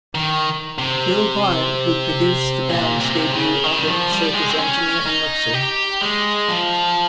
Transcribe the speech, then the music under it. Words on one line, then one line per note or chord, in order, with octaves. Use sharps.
Phil Bonnet, who produced the band's debut album, served as engineer and mixer.
D#3
C3
A#2
C3
C#3
D#3
G3
F3
G3
G#3
C4
C#4
D#4
G4
G#3
F3